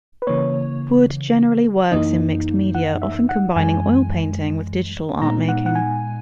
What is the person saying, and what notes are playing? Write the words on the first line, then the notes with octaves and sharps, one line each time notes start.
Wood generally works in mixed media, often combining oil painting with digital artmaking.
B4
C#3 E3 A#3 C#5
F#2 E3 A#3 D#4 D#5
F#5
E5
F#5
F#2 E3 G#3 G#5
A#2 G#3 B3 D#4 A#5
F#5
F#5
G#5